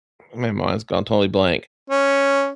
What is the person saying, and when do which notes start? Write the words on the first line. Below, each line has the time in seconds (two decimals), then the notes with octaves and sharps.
my mind's gone totally blank.
1.90 C#4